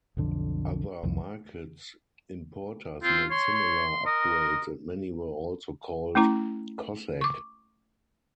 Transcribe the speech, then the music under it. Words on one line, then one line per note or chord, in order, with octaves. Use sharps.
Other markets' importers made similar upgrades and many were also called "Cossack".
B1 F2 D3
C2 F2
C4 F4
C#5 C6
C6
A#4 D#5
A3 C#4 E4 A#5
C#6 D6